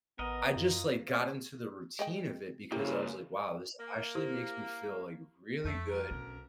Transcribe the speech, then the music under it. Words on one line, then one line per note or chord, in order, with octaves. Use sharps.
I just, like, got into the routine of it because I was, like, "Wow, this actually makes me feel, like, really good."
A1 B3 A#4 D#5
F#2 F4
G#3 D#5 G5
C#3 A#3 C4 E4 G4
A#3
E4 G4 C5
F2 A3
D2 A#4
B1 C#4